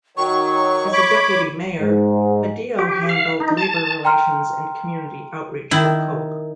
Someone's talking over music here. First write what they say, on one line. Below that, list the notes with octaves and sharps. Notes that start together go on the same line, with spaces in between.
As a deputy mayor Badillo handled labor relations and community outreach for Koch.
D#3 F#3 C#6
C#5 B5 D6
G#2
G4
F5
D#4
A5
G5 A#5 C6 F6
D#3 E4